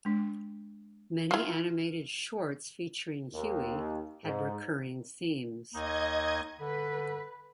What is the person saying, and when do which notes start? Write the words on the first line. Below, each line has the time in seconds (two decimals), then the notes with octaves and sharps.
Many animated shorts featuring Huey had recurring themes.
0.05 G#3 D4
1.31 E4 F4
3.33 D#2
4.24 G#2
5.74 D#2 D#4 D#5 G#6
6.60 D3 B4